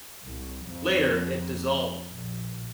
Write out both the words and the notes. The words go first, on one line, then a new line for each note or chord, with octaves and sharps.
Later it dissolved.
C2
F2
A#1